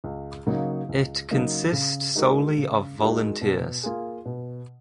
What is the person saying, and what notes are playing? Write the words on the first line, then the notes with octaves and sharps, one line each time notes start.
It consist solely of volunteers.
C#2
C#3 F#3 A#3 D#4
C#2
C#3 F#3 A#3 D#4
C#3
G#3 D#4 F#4 A#4
C#3
G#3 D#4 F#4 A#4
B2
A#3 F4 G#4
B2